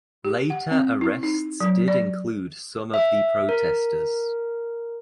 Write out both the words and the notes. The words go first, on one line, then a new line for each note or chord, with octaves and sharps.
Later arrests did include some of the protestors.
G4
F#5
C4
E4
D#4
F#3
D5
E5
A#4